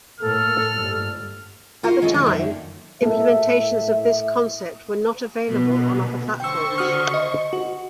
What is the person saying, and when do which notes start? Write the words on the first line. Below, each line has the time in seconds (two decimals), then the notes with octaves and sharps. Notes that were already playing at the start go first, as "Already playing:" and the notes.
At the time, implementations of this concept were not available on other platforms.
0.20 A2 A#3 A4 F6
0.70 G1 G#2 G3
1.83 F4 F#4 A#4 C5
2.02 G#3 C#4 A4 D#5
2.14 D3 E3
2.26 F#2 A2 D3 D#3 A#3
3.02 A2 A#3 A4 A#4 E5
5.49 B2 D3 B3
6.40 D3 C5 G5 C#6 E6
6.78 F#4 D#6 F6
7.14 D#5
7.53 F#4